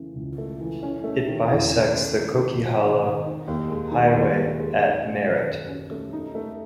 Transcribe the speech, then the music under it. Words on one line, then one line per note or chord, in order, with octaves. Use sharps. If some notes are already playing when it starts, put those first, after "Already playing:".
It bisects the Coquihalla Highway at Merritt.
Already playing: C#3 E3 A3
C#2
A3
E3
C#4
A3
D#3
E2
C#4
A3
D#3
D#4
A3
D#3
D#3
D#4
D#2
G#3
D#3
D#2
D#2
G#3
C#4
A3
D#3
F#2
C#4
A3
D#4
A3